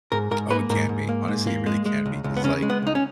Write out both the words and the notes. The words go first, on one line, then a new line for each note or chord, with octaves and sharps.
Oh, it can be. Honestly, it really can be 'cause, like,
G#2 A#4
G#2 A#4
A#3 B4
G#2 A#4
G#2
A#3
G#2
A#3
G#3
G#3
C#2
C#2
B3
C#3 C#4
G#3
B3
C#2 D#4
C#4